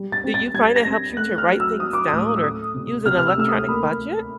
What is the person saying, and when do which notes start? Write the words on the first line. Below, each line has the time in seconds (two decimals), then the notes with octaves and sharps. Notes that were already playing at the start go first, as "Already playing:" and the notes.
Do you find it helps you to write things down or use an electronic budget?
Already playing: G3
0.12 A6
0.24 C4
0.34 A6
0.54 G3 G#6
0.76 A#6
0.86 C4
1.17 A3 F#6
1.38 F6
1.48 F#3
1.60 E6
1.80 F#3 D#6
1.93 D6
2.08 A2 D#6
2.36 E6
2.43 A3 D#6
2.74 C3
3.06 C3 F6
3.18 F6
3.27 E6
3.38 A3 E6
3.48 D#6
3.69 A#3 B5
4.00 A#3